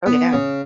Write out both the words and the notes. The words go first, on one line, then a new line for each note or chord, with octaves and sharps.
Oh, yeah.
B3
C#3